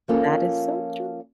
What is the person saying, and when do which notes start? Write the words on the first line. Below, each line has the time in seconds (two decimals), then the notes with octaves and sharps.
That is so true.
0.08 F3 A#3 C#4 F4 A4